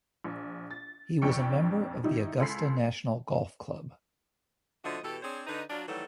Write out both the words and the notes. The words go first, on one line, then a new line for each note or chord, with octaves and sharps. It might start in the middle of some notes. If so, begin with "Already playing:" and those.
He was a member of the Augusta National Golf Club.
A#1
A6
A#1 F2 D4 G5 C#6 C#7
D#3 G3 D#4 E4
C#2 G#3 A4 C6 B6 C7
D3 F3 A3 D4 F#4 D#5
B2 E3 G4 A4
C4 D4 G#4 C5 C#5
D3 D#4 B4
F#3 D4 F4
D#3 E3 F#3 G3 A3 A4